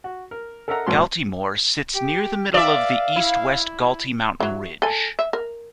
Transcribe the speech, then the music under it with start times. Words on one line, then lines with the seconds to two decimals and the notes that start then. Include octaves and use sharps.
Galtymore sits near the middle of the east-west Galty mountain ridge.
0.04 F#4
0.31 A#4
0.68 A4 A#4 D#5 E5 F#5 A#5
0.86 G#1 F2 A#2 B4 C#5 C6
1.95 G4
2.54 D5 E5 F5
3.16 E4
4.40 E3 F#3
4.82 A4 G#5
5.19 E5
5.33 A#4